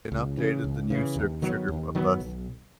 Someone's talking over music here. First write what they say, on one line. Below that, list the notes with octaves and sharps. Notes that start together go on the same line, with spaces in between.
An updated The New Sugar Busters!
C#2
C#3 E3
C#2
C#3 E3
D#2
D#3 F#3 B3
D#2
D#3 F#3 B3
B1